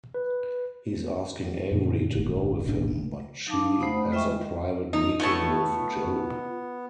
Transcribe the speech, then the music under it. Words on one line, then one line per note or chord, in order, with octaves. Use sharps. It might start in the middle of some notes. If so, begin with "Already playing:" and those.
He's asking Avery to go with him, but she has a private meeting with Joe.
B4
F#2 A#2 D3 F3
D1 G1 G#3
E1 A1 G#2 D4
F#3 D#4 F5 A5 D6
A3 C5 F#5 B5 D#6
G#3 F4 D#5 E5 G5 C#6
D#4 F4
A3 B3 C#5 A5